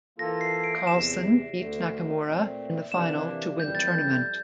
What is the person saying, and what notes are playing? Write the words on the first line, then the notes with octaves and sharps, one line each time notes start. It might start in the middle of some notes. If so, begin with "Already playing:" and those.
Carlsen beat Nakamura in the final to win the tournament.
E3 A#3 F4 A4 A#6
C7
D7
E2 C3 E3 E7
D2 D3 A3
A#2 A3 C4
C3 E3 A#3 D4 E7
F2 E3 G3 G6
A6
G6